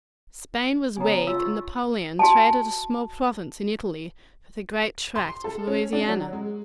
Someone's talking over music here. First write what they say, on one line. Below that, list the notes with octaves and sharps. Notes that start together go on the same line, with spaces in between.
Spain was weak, and Napoleon traded a small province in Italy for the great tract of Louisiana.
C#3 B3 G#5 A#5
F4 F5 E6
C#6
F#4 G#5 A5
C6
A4
C#4
D4
F#3
G#3